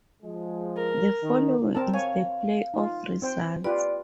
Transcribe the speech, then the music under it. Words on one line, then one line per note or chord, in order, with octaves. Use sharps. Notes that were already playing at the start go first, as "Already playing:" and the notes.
The following is the playoff results.
F3 G#3
A#4
D#3
C4 A#4 A5
C#5 F5 G#5
D#4 F4
C4 C5 G5
F4 G4 B4 D5